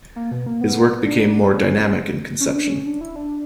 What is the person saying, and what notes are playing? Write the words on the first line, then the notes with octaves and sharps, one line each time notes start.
His work became more dynamic in conception.
A#3
B2
A#3
B3
D4
C#4
C#4
D4
C#4
D4
E4
D4